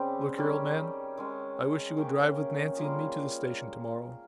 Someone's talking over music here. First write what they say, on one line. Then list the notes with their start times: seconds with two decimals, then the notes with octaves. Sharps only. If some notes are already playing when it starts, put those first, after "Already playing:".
"Look here, old man, I wish you would drive with Nancy and me to the station tomorrow."
Already playing: C#3 G3 C4 G4
0.38 D#3 G3 C#4
1.17 D#3 G#3 C#4
1.97 D#3 A#3 C#4 G4
2.76 G3 A#3 F4 G#4